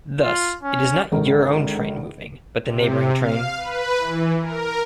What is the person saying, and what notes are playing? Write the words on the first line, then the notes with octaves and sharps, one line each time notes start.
Thus, it is not your own train moving, but the neighboring train.
F4
C#4
G#1 C#2 D3 A#4
C3
F5
B4
E3
A#4